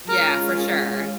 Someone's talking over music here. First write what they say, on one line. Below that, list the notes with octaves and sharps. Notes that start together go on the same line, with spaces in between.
Yeah, for sure.
G#3 C#4 F4 A#4